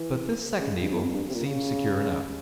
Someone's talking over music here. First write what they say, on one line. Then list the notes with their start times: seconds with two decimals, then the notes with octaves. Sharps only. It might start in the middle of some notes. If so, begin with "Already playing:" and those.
But this second eagle seemed secure enough.
Already playing: E3
0.60 C#3
0.82 G2
0.92 E2
1.03 F2
1.13 G2
1.29 C3
1.35 A#2
1.46 C#3